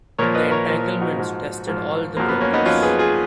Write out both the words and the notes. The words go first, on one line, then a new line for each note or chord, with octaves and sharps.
The entanglements tested all the brokers.
A#2 F3 A#4 C#5
B4 D#5
A#4 C#5
A#2 F3
D#4 F#4
G#2 F3
G#2 F3
F#2 F3 A#3
B3
A#3 C#4
B3 D#4
F#2 F3 C#4 F4
G#4 B4
F4 G#4